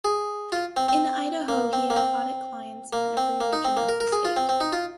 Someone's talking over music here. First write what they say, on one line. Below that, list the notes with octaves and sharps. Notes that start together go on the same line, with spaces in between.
In Idaho he had audit clients in every region of the state.
G#4
F4
C4
C4
A#3
C4
A#3
C4
A#3
C4
A#3
D#4
C4
A#3
A#4
A#4
G#4
F4
C4
C4
D#4
F4